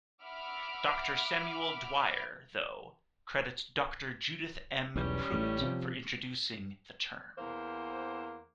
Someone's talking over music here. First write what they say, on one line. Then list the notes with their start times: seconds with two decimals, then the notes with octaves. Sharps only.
Doctor Samuel Dwyer, though, credits Doctor Judith M. Prewitt for introducing the term.
0.22 E5 F#5 B5 D6 F6 D7
4.96 B1 E2 G3 C#4
5.32 A1 A2
5.61 C3 E3 F3
7.38 E2 A#3 C5